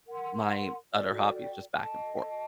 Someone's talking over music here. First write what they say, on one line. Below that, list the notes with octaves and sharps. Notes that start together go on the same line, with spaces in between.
my other hobbies, just back and forth.
A#4 F#5 C6
F#4 A4 D5 G5
A4 D#5 A5